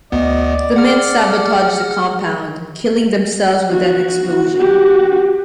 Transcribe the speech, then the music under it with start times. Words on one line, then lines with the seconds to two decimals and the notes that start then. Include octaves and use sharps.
The men sabotage the compound, killing themselves with an explosion.
0.12 D2 B3 D5 D#5
0.76 G#4 F#5 F6
3.71 F#4
4.58 F#4 G4